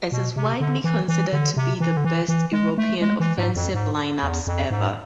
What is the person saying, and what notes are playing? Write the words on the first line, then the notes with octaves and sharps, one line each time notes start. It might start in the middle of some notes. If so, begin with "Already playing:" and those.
It is widely considered to be the best European offensive lineups ever.
B2
C3
D3
E3
E3
D3
C3
E3
D3
E3
E3
G#3
A3
G#3
E3
G#2
F2
G#2
E2
F2
G#2